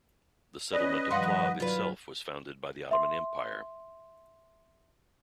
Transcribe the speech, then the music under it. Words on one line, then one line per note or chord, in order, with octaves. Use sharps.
The settlement of Plav itself was founded by the Ottoman Empire.
C#4 B4 D5 D#5
G2 D#3 F3 F5 F#5 C6
F#3 F4 B4
E5 C6